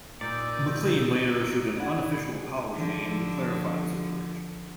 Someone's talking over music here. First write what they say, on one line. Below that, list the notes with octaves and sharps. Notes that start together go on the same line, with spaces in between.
MacLean later issued an unofficial apology aimed to clarify the situation.
A#2 D#3 D#4 A#4 D5 E6 G6
D4 F#5 B5 G#6
D3 F3